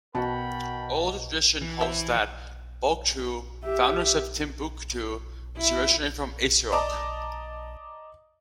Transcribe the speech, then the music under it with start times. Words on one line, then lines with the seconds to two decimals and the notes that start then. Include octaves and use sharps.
Oral tradition holds that Boctou, foundress of Timbuktu, was originally from Essouk.
0.15 B2 F#4 A#4 F#5 G5 A5 B5
1.61 E3
1.81 C5 E5
3.64 G4 E5
5.57 E4
6.72 D5 D#5 A5 A#5 D6